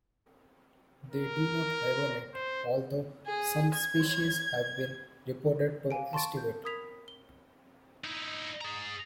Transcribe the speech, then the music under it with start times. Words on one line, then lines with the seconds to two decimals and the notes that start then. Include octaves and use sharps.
They do not hibernate, although some species have been reported to aestivate.
1.10 A#4
2.34 C5
3.26 G#4
3.74 G#6
5.91 G4 F5 G#5 D7
6.13 A5 C6 C#6 A6 D7
6.37 G6
6.64 A#4 B5 D#6 G#6 B6 F7
7.08 G7
8.04 D#4 E4
8.61 G#4 A#5